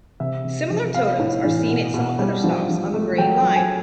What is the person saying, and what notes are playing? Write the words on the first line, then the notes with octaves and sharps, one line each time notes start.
Similar totems are seen at some other stops on the Green Line.
C3 E5
C3
F3
B3 F5
A2
E3
B2
B2
G3
F3
F3
A3
F#3 G5
G5
F#3
G#5